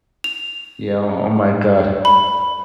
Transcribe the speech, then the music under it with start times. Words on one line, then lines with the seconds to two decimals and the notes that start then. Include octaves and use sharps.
Yeah, oh oh my god.
0.24 F7
2.05 B5